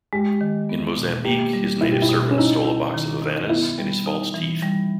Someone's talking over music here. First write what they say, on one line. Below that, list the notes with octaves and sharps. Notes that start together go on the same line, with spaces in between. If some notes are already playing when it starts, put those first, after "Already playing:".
In Mozambique, his native servant stole a box of Havanas and his false teeth.
G#3 G4
D#3
B3
B2
A#3 G4
G3
B2 E4
G4
E4
B2
C#4
D#4 E4
E4
D#3
D#4
B3 E4
G3
D#4
E3
G3